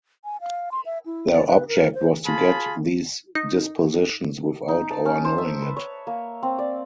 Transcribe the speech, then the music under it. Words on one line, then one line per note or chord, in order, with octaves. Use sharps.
Their object was to get these dispositions without our knowing it.
G#5
F5
C6
E5
E4
D5
B4
A#4
C5
F4 G#4 A5 B5
D#4
D#4
A5
C#4
C5
E5
B4
C#5
A#3
C4
D5